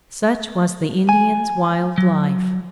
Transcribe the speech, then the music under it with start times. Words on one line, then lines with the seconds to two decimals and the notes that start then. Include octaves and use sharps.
Such was the Indians' wild life!
1.09 G#5
1.98 F#3